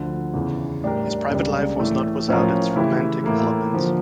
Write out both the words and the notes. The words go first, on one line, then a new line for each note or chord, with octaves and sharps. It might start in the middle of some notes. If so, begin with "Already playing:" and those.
His private life was not without its romantic elements.
Already playing: D2 D3 F3
E2 C#3 E3
A2 G3 D4 G4 A#4
C#2 C#3 G3 A#3 D4
A2 E3 A3
A2 F3 C#4 F4 A#4
C#3 E3 A3 E4 G4
A2 E3 A#3 E4 A4
D3 F3 A#3